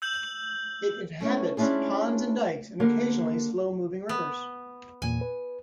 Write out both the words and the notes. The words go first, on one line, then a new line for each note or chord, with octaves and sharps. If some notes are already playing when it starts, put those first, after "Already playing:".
It inhabits ponds and dikes, and occasionally slow-moving rivers.
E6 G6 F#7
A3 C#4 E4
G3 C#4 D4 E4 F4 G#4
D3 G3 A#3 A#4
B3
E2 A#2 G#5
B4